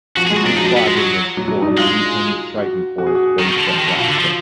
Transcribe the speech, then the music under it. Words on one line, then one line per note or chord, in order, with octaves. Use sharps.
This squadron was to form an independent striking force based at Rosyth.
F3 F#4
G#4
G#3
F#4
F#3 D4
F3 D#4
D4
B3
G#3
F#3
F#3
F#3
D#4
D4
G#3 F4
F#4
F#4
G#4
F#4
D#3
B2
D3
F3
D#3
D3
B2 F4
D3
F3